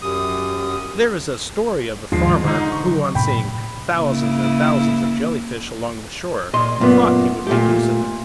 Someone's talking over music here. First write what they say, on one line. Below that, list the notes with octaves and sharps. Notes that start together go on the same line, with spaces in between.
There is a story of a farmer who, on seeing thousands and thousands of Jelly-fish along the shore, thought he would make use of them.
F#2 G4 D#6
D#2 G#2 F3 G#3 D4 C7
D3
G#2 D3 D#4
C#6
F#3
A2 C3 G5 B5
C#3 A#3 E4
A#2 D#5 C6
F#2 A#2 B3
A#2 A3 G4